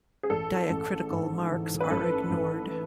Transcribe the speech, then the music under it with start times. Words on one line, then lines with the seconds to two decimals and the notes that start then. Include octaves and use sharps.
Diacritical marks are ignored.
0.23 G#4
0.30 A1 A4
0.70 A1
1.11 G#2
1.50 E3
1.80 B4
1.90 A1 A4
2.30 A1